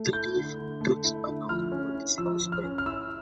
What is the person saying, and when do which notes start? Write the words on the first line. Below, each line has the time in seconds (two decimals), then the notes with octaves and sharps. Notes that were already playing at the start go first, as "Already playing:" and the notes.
The leaf drifts along with a slow spin.
Already playing: A3
0.12 E4 G6
0.35 D3
0.58 D3
0.81 A3
1.04 E4
1.27 D3
1.49 F3 F6
1.72 C#4
1.95 E4
2.18 F3 E6
2.40 F3
2.52 F6
2.63 C#4
2.78 F6
2.86 E4 E6